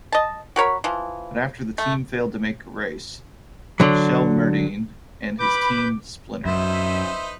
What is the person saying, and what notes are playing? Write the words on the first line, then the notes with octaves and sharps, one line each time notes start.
But after the team failed to make a race, Shelmerdine and his team splintered.
D#5 A5
F#4 A#4 C#5 B5
E3 F3
A3
D3 F#3
B4 B5 D6 G6
F#2 D#4 B4 C5 E5